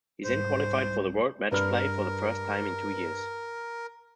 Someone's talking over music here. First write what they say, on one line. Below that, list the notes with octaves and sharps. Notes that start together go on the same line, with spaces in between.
He then qualified for the World Matchplay for the first time in two years.
C2 G#2 C5
G2 A#4 B4 F6